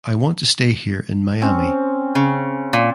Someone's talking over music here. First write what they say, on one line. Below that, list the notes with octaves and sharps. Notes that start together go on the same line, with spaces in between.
I want to stay here in Miami.
C4 C#4
C#3
A#2